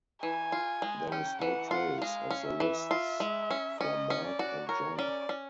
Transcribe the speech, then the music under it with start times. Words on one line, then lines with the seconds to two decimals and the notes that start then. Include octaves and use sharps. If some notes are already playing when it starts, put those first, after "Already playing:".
There is no trace of the lists for Mark and John.
0.22 E3 G#5
0.52 F4
0.82 G#3
1.11 C#4 G5
1.42 E3 F#5
1.71 F4 F#5
2.01 G#3 F5
2.31 C#4
2.47 E5
2.60 E3
2.91 F4
3.20 G#3
3.51 C#4
3.81 C#4 D#5
4.10 C#4
4.25 D5
4.39 F#4
4.69 A#4 C#5
4.99 C#4 D5
5.29 C#4